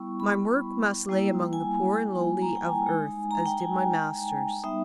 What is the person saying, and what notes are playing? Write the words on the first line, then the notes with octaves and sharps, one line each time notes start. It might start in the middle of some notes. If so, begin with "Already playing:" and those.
My work must lie among the poor and lowly of earth as did my Master's.
Already playing: G3 B3 E4 C#6
B5
G3 A#3 E4
G#5
A#5
G#5
G5
G#5
G#3 D#4
A#5
G5
G#5
G3 B3 D#4 E5